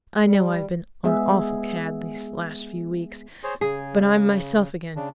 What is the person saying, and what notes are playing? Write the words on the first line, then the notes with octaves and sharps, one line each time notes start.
I know I've been an awful cad these last few weeks, but I'm myself again.
G3
G#3 B3 G#4 E5
G#4 C5 C#5
C#3 G#4
C#3 D4